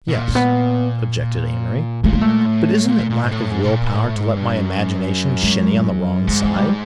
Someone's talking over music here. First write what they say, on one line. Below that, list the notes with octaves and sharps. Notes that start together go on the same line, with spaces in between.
"Yes," objected Amory, "but isn't it lack of will-power to let my imagination shinny on the wrong side?"
B2
A#2
A#3
B3
A#2 A3
A#3
A3
A2
A#2
A#2
G#2
A2
G#2
B2
A#2
A2
G#2
G2
F#2
G#3
G#2 G#3
G#3
G3